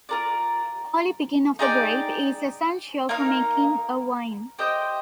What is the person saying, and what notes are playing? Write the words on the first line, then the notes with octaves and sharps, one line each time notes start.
Early picking of the grape is essential for making a wine.
F4 A#4 D5
D#4 G#4 D5 G5
A#3 D#4 A#4 F5
G4 C5 D#5 G5